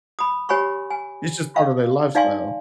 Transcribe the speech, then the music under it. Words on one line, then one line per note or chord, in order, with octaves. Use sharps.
It's just part of their lifestyle.
B5 D#6
G4 C#5 G#5 B5 C#6
G#5
F5
D#4 D5 F5 G#5 C6